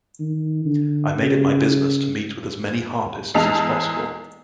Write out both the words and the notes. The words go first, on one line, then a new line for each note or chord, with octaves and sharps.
I made it my business to meet with as many harpists as possible.
D#3
D3
C#3
E2 G#3 D#4 A5 F7